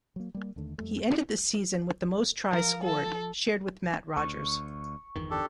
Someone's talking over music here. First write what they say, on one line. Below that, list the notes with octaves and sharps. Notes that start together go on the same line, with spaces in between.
He ended the season with the most tries scored, shared with Mat Rogers.
F#3 A#3
G3 A#3
D#2 D3 A3
F2 G3 A3
F3 A#4
A4
D2 C#6
G1 E2 D#3
D4 G4 A4